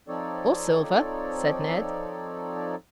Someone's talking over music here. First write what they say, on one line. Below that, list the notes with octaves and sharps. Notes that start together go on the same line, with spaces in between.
"Or silver," said Ned.
F3 C4 D#4 A4 C#5 D5